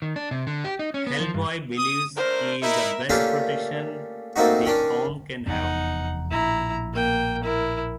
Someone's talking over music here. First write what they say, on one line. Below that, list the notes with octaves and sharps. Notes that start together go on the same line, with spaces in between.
Hellboy believes he is the best protection the arm can have.
D#3
D4
C3
D3
G4
D#4
C#4
B3
F3
G2
D#6
A3 D4 A#4 C5
D#4 E4 A#4 E5
A3 A#3 C#4 D4 F4 G4
A3 A#3 C4 D#4 F#4
D#3 C#4 D4
F1 E2 B3 D#4 F#5
A#1 A2 E4 A#5
A#3 G5
E4 A#4